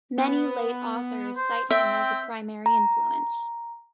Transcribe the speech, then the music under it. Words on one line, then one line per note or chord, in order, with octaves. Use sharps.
Many later authors cite him as a primary influence.
B3
C5
C4 E5 G5
A#5